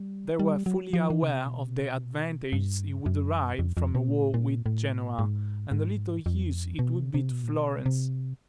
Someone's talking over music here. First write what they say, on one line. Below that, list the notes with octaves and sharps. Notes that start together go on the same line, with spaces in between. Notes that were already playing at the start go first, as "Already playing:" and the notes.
They were fully aware of the advantages he would derive from a war with Genoa, and the little use it would be to Florence.
Already playing: G3
G3
F#3
F3
E3
C#3
C3
B2
G2
F#2
F2
F2
B2
A#2
A2
A#2
A2
G#2
G#2
F2
B2
C3
C3
B2
A#2
B2
C3